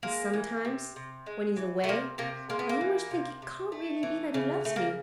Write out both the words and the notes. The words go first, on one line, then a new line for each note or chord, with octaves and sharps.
And sometimes, when he is away, I almost think it can't really be that he loves me.
G#3 A#3
E3
C3
C3
G#3
E3
A3
C3 A#3
C3 A#3
G#3 A#3
B3
A#3
E3
C3
C3
A3
E3
C#3
C#3 A3
A#3